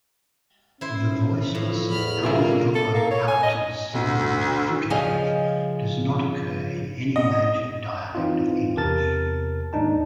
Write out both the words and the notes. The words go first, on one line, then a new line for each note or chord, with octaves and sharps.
The voiceless alveolo-palatal sibilant fricative does not occur in any major dialect of English.
C#4 E4 C5
A2 F3
E2 B5 F6
G2 A#3 F4 G#4 E5
A4
A#3
C#5
G#5
D#5
D2
C#3 F3 G#4 D#5 F5 G#5
D#5
E3 C4 D#4 F4
E2 C3 A#4 A5 F6 A6
D#2 G#2 D4 D#4 A5